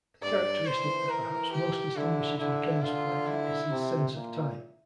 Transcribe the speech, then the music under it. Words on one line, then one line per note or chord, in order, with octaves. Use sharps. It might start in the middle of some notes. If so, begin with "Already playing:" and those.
The characteristic that perhaps most distinguishes McKenna's playing is his sense of time.
G2 D5
E3 C5
A#4
G4
D3 E4
D3 E4
D3 F4
E4
C3
A#2